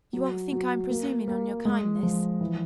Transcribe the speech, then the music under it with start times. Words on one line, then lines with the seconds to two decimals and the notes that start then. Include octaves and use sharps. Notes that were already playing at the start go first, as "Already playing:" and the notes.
"You won't think I am presuming on your kindness?"
0.13 F#3
0.52 F#3
0.90 A#3
1.28 A#3
1.65 G#3
2.03 F3
2.41 E3